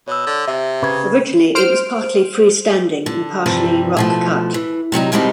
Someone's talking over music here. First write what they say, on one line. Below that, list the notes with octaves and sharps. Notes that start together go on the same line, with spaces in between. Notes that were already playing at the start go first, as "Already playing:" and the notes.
Originally, it was partially free-standing and partially rock-cut.
B2 C#5 E6
D3
C3 E5
C#3 B4 G#6
C5 F6 D7
D3
G2 C3 E3 F3 G3
B2 F3 A3
E3
C3 F#3 G3 D#4
D#2 B2 G3 G#3 C4 D#4